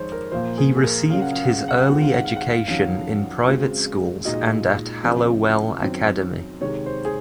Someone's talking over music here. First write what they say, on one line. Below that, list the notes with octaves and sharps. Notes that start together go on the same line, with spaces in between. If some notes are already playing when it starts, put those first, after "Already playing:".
He received his early education in private schools and at Hallowell Academy.
Already playing: F2 D#3 G#3 D#4 C5 C#5
A#4
A#2 F3 A#3 F4 C5
G#4
G#4
A#4
C#3 F#3 C#4 F#4 F5
F#5
F5
F#5
F5
F#5
F5
D#3 G#3 C4 F4 F#5
F5
F#5
F5
F#5
F5
F2 D#3 F#3 C#4 F5
C#3 G#3 C4 F#4
A#2 G#3 D#4 F#4 D#5
C#3 F3 C4
F#2 D#3 F#3 C4
C3 D#3 G#3 C#5
C5
G#4